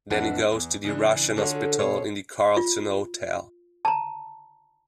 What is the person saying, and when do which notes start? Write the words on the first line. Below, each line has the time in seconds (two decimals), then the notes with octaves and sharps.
Then he goes to the Russian hospital in the Carlton Hotel.
0.10 F2 E3 D4 B4 F#5
0.52 E2
0.84 C#3 E3 D4
1.36 D3 F4 F#4 G#4 A4 C#5
1.79 B2 C5 C#5
2.57 F4
3.85 A5 A#5